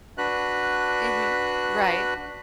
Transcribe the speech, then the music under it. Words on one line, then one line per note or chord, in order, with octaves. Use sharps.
Mhm, right.
D4 F#4 B4 F#6